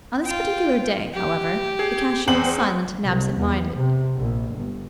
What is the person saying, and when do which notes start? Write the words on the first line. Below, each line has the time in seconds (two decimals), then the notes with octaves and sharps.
On this particular day, however, the cashier was silent and absent-minded.
0.24 F4 G5
1.13 G4
1.79 G#4
2.28 E2 C4 C5 F#7
3.06 C2
3.38 E2
3.75 C3
4.19 A#1
4.53 G1